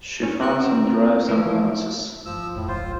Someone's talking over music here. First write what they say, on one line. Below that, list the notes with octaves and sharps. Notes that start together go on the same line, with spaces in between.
She funds and drives ambulances.
C#4
G4 B4 F#5 A#5
C4
E3 F3 A#3 B4
G1 F3 E6
F2 A2
D1 A#1 F4 C5